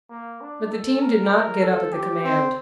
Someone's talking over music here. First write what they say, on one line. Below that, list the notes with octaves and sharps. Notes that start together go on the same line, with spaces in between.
But the team did not get up at the command.
A#3
D4
A4
A#4
A4
G4
C4